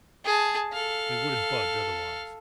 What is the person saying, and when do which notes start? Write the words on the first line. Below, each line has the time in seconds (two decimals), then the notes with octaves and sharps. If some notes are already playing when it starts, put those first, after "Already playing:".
They wouldn't budge otherwise.
0.25 G#4 A5
0.73 A4 F5